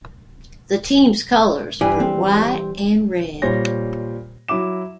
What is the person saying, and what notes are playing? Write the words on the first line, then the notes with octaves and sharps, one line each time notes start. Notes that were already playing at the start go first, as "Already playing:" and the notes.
The team's colors were white and red.
G2 E3 G3 G#5
C4
A#2 G3 C5 C#5 A#6
F#3 E4 E5 D6 E7